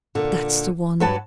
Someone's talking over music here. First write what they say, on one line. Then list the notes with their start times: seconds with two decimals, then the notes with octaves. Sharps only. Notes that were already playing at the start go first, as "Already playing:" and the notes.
That's the one.
0.15 A#2 D3
1.00 G2 F#3 B4 F#5 A5